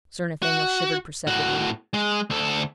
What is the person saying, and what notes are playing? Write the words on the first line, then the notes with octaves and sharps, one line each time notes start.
Sir Nathaniel shivered perceptibly.
F#4
A2 F#4
G#3
D2 A4